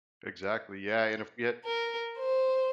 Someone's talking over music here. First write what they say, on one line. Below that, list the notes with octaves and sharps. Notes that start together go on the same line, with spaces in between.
Exactly, yeah, and if we had
A#4
C5